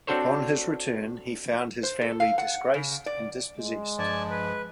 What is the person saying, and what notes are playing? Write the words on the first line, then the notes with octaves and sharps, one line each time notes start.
Upon his return, he found his family disgraced and dispossessed.
C4 D4 F#4 A4 C5 C#5
C5
A4
F5
F#5
C#3
D5
G#3
G2 F3 D5 G#5 A5
B4